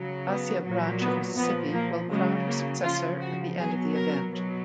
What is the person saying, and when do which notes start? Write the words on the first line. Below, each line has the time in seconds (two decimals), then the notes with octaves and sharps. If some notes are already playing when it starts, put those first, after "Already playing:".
Asya Branch of Mississippi will crown her successor at the end of the event.
Already playing: C#3 F#3
0.27 B3
0.63 A#2 F#3
1.00 B3
1.37 A#2 F3 B3
1.74 A#3
2.10 C#3 F#3 G#3
2.47 A#3
2.84 C#3 F3 F4
3.21 F#4
3.57 B2 F#3 G#4
3.94 A#4
4.31 B2 F#3